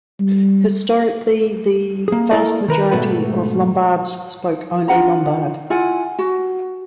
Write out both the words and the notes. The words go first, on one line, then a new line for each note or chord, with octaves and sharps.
Historically, the vast majority of Lombards spoke only Lombard.
G3
A#3 G#4
A#3 E4 A4 A#4 D5 D#5
D#3 A#4 B4
G#2 B2 A3 F#4 B4
D4 F4 F#5 A#5
E4 F4 F#5 G#5
F#4